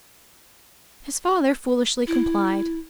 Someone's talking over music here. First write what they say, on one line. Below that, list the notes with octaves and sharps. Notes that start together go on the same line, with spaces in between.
His father foolishly complied.
E4